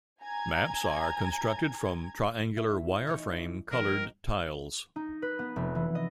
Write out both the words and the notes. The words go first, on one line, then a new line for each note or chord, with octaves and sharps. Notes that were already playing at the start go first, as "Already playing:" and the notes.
Maps are constructed from triangular wireframe colored tiles.
G#5 A#5 G#6
E4
E3 D#4 C#5
D#3 F3 D4 A#4
D#4
B4
B3
F1
E3
D#5